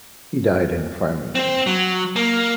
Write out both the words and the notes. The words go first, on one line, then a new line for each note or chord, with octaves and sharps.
He died in Farmington.
C4
F#3
A#3